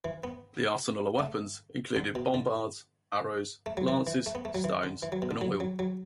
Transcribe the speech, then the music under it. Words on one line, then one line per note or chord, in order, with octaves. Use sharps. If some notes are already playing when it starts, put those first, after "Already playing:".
The arsenal of weapons included bombards, arrows, lances, stones and oil.
E3
B3
A3
D3
B2
D3
A3
F#3
E3
E3
A3
B3
A3
F#3
E3
D3
E3
F#3
B2
D3
F#3
F#3
F#3